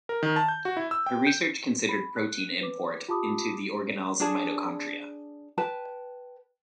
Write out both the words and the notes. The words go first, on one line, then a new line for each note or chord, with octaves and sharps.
Her research considered protein import into the organelles of mitochondria.
A#4
D#3
A5
G6
F#4
E4
E6
G5
G6
B5
F#6
B4 D6
F4 G4 A5 B5 D6 D#6
D4 G#4 A5
B4 G5 A5